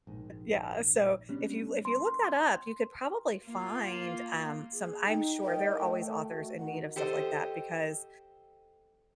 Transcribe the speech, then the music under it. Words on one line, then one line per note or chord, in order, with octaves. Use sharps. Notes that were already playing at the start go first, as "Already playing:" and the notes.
Yeah, so if you l if you look that up, you could probably find, um, some I'm sure, there are always authors in need of stuff like that, because
A#1 G#2
G3 B3 C#4 D4
C6
A#3 F4
G#4
D#4 G5
A2 A#4 D#5 G5
A3
F#4
D#3 D#4 F#5
G4 A4 C5 D#5